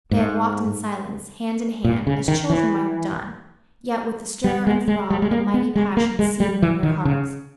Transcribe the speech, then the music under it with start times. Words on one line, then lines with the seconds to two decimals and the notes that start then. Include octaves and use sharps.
They had walked in silence, hand in hand, as children might have done, yet with the stir and throb of a mighty passion seething in their hearts.
0.11 G#2
1.84 A#2
2.07 C#3
2.28 D#3
2.50 E3
4.44 G3
4.67 G#3
4.88 G#3
5.10 G3
5.22 G#3
5.31 A#3
5.54 B3
5.75 G#3
5.97 A#3
6.19 G#3
6.40 G3
6.62 E3
6.83 D#3
7.05 C#3